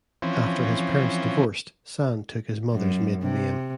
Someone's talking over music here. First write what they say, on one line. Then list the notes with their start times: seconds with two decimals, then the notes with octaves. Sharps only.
After his parents divorced, Sand took his mother's maiden name.
0.22 E3 F3 C4 C#4
2.72 F#2
3.22 C3